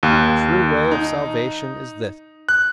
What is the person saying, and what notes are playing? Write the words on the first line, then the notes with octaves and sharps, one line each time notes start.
The true way of salvation is this.
D#2
D#4
F#6